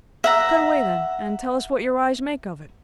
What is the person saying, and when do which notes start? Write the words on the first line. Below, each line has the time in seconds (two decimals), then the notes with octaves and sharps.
'Cut away then, and tell us what your eyes make of it.'
0.24 E5 F#5 A#5